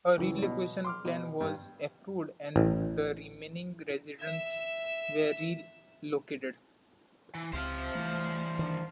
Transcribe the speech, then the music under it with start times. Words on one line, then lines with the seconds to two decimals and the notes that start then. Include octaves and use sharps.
A relocation plan was approved and the remaining residents were relocated.
0.17 C#2 E3
0.38 B2 C#5
0.85 C6 D6 F6
1.05 B2
1.41 G2
2.56 A1
4.21 E5 E6
7.35 E3
7.53 C#2 C4 G4 C5 F5
7.95 E3 G3 A3
8.59 D#3 D4